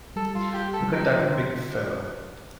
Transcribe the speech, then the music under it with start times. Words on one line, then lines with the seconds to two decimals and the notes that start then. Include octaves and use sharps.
Look at that big fellow.
0.16 G3 A4
0.35 F4
0.54 G4
0.74 A4
0.82 G3
0.93 F3 D#4
1.19 D3 C4